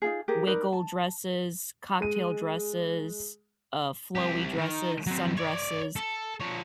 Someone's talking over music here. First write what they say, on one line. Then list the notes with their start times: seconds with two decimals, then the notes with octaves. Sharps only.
wiggle dresses, cocktail dresses, uh, flowy dresses, sundresses.
0.02 D#4 F4 G#4
0.28 G4 G#4 A#4
0.47 D#4 A#4 B4 D5
0.73 A5
2.01 G#3 D#7
4.15 C2 G4
4.58 D#3
5.07 F#3 C4
5.38 C#5 D5
5.96 A4
6.41 F3 C#5